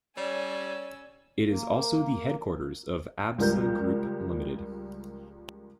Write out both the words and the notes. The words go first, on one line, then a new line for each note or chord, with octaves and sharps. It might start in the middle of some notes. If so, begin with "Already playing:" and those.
It is also the headquarters of Absa Group Limited.
G3 C#4 C#5 D5 G#5 E6
A#3
C#2 F3 G3 A#4 G6